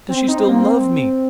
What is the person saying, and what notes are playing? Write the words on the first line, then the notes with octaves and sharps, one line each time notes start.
Does she still love me?
C4
D#4
C4
A#3
C4